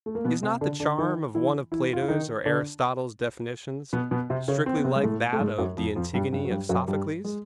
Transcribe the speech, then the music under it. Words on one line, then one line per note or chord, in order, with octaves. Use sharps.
Is not the charm of one of Plato's or Aristotle's definitions, strictly like that of the Antigone of Sophocles?
A3
A#3
B2 B3
C3 C4
D3 D4
D3 D4
D#3 D#4
E3 E4
E3 E4
F4
E4
D#3 D#4
D3 D4
B2 B3
B2 B3
C3 C4
C#3 C#4
C4
B3
C3 C4
G#3
A2 A3
A3
G#2 G#3
F#2 F#3
F2 F3
F2 F3
G2 G3
G2 G3
F#3
G2 G3
F#2 F#3
G2 G3
G#3